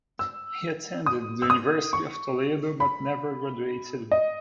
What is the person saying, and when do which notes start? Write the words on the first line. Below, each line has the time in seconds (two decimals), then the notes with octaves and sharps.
He attended the University of Toledo but never graduated.
0.19 E6
1.06 D#6
1.42 E6
1.50 D#6
1.93 C#6
2.80 B5
4.11 D#5